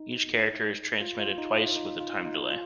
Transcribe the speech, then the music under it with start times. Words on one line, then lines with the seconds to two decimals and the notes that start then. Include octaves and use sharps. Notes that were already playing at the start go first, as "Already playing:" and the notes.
Each character is transmitted twice with a time delay.
Already playing: D#4
1.01 F4
1.20 F4
1.38 D#4
1.57 F4
1.76 D#4
2.00 F4
2.25 D#4
2.51 F4